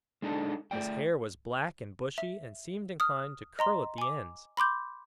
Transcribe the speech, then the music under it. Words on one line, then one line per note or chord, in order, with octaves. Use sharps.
His hair was black and bushy and seemed inclined to curl at the ends.
G#3 D4 D#4 A4
A3 D5 G5
E5
D#6 F6
D#5 A#5 C6
G#5 D6
B5 C6 D6 G6